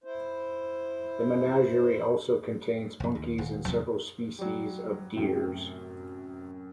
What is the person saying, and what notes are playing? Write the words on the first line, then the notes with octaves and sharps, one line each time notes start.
The menagerie also contains monkeys and several species of deers.
E4 C5
C2 F#2
D#2
D#1
E2 C3 F#3 G3
F#3 G3
F#2 A2 C3